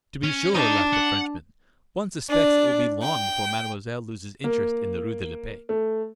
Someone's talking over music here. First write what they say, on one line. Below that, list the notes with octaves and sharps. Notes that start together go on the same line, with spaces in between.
"To be sure," laughed the Frenchman; "one suspects it will be long before mademoiselle loses interest in the rue de la Paix."
C#4
D4 D#4
F#5
D4
G5
A#3
A3